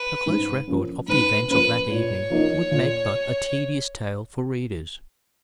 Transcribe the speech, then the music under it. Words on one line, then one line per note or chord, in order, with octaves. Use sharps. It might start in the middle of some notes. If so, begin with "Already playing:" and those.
A close record of the events of that evening would make but a tedious tale for readers.
Already playing: B4
G#2
F3 A#3 C#4
G#2 B4
F3 A#3 C#4 B4
A#2 C#5
F3 A#3 D#4
A#2